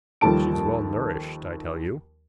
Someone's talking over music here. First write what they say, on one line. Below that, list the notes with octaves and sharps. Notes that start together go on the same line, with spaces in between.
She's well nourished, I tell you.
D#2 F3 G3 A4 A5 D7